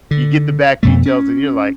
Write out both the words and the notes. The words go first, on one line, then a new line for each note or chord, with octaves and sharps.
you get the back details and you're like,
D3
F2 B2 A3
C#4